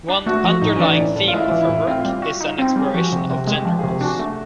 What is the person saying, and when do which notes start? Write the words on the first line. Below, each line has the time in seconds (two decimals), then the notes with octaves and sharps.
One underlying theme of her work is an exploration of gender roles.
0.09 D4
0.26 A3 F#4
0.44 F3 F#4
0.61 A2 D#4
0.76 C#4
0.80 E3 D4
0.98 A2
1.16 A2
1.28 F4
1.33 G#3 E4
1.51 E3
1.61 E4
1.69 A2
1.87 C4 F4
2.05 G3
2.22 F#4
2.41 D#4
2.59 C4
2.76 G3 G#4
2.86 G4
2.94 F3 F#4
3.12 C3
3.30 C3
3.44 G#4
3.47 G#3 G4
3.65 F3
3.79 C3 G#4
3.89 G4
4.01 D4 F#4
4.19 A3